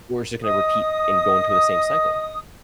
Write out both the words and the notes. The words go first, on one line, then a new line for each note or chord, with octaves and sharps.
or it's ju gonna repeat and go into the same cycle.
D#5 D#6